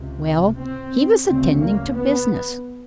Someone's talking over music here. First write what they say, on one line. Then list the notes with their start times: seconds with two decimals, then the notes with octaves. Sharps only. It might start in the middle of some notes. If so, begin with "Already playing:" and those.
Well, he was attending to business.
Already playing: C#2 C3
0.58 C4
1.26 D2 C#3 C4
1.61 A#3
1.94 B3